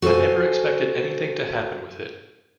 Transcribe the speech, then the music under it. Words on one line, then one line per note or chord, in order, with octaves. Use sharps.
I never expected anything to happen with it.
F#4 A4 B4 C5 G#5